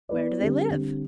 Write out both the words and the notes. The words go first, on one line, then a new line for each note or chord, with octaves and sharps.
"Where do they live?"
B3 E4 B4 D5
D3 G3 C4
D3 G3 C4